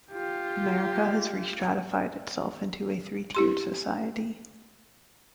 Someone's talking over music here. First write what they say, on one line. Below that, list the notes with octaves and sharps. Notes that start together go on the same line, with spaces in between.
America has re-stratified itself into a three-tiered society.
F4 G4
E4 G4 C6